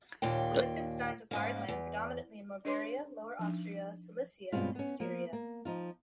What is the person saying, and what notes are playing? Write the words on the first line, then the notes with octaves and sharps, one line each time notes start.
The Liechtensteins acquired land, predominantly in Moravia, Lower Austria, Silesia, and Styria.
D#2 A#2 D#3 G5
G#2 C#3 A#3
E2
D4 G#4 B4 C#5 C6 D6
F3 D4 D#4
G2 B2 G#3 C4 C#4 F4
B3 C#4
F3 A#3
A#3
F3 D#4 F4